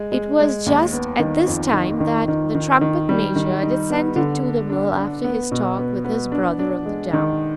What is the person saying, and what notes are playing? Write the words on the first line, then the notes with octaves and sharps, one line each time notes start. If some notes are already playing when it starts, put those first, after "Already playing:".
It was just at this time that the trumpet-major descended to the mill after his talk with his brother on the down.
Already playing: G#3
G#3
G#3
D#2
B3
D#3
F2
D#3
D#3
D#3
D#3
D#3
G3
D#3
D#4
B3
D3
D4
D4
D4
B3
B2
B3
B3
D4
D4
G#3
D#3